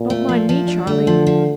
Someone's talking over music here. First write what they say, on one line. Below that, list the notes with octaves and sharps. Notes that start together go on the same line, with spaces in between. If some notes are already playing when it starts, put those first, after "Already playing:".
Don't mind me, Charley!
Already playing: A#2
A3
F3
F3
D4
D3 A3
F3
F3